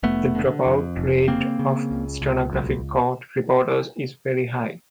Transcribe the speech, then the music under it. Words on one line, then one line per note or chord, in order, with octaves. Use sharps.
The drop-out rate of stenographic court reporters is very high.
F1 A3 B3
D3
F2
F1
C#3 A#3 C4
C#3
C#2
C#2
B1